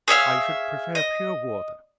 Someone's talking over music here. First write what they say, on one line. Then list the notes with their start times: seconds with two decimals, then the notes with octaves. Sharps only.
"I should prefer pure water."
0.08 G#4 C#5 E5 F5
0.95 D#5